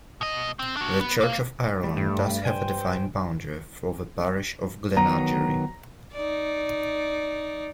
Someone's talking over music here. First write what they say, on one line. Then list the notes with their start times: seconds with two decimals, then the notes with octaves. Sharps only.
The Church of Ireland does have a defined boundary for the Parish of Glenageary.
0.21 B2 D#5
0.59 C4
0.77 D4 F#4
1.01 B3
1.21 A#3 F5
1.84 G3 A3
1.97 G2
2.45 C5 G5 G#5
4.97 D#3 F#3 B3 A#5
6.12 D#4 D5